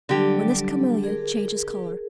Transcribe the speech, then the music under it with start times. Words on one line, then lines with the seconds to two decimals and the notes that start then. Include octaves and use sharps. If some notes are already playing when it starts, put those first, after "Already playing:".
"When this camellia changes colour."
0.09 D3 F#3 G3 D4 G4
1.04 G#4 A#4